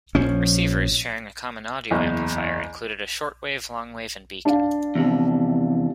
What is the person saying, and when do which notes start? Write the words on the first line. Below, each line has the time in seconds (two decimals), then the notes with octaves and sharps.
Receivers, sharing a common audio amplifier, included a short wave, long wave and beacon.
0.15 A#1 F3 C#4
1.91 F#1 E2
4.45 D4 F5
4.95 E2 C3 F3